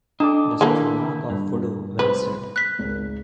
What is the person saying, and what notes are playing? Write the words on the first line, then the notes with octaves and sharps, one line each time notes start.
This was the mark of the voodoo, Welles said.
D4 D#4 A4 D5
D#3 E3 A#3 E4 A4
G2
C2 B4 C5 B5
F#6 B6
G#1 C#2 A#4